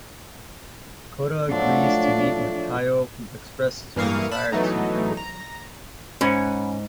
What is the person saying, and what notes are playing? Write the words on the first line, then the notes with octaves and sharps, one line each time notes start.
Kota agrees to meet with Kayo who expresses her desire to be with him.
A2 F3 F#3 D4
G2 E3 A#3 F5 C#6 D#6
A5 B5
E3 F#3 A3 B3 D#4
A#5
G#2 C#4 F#5 G#5 B5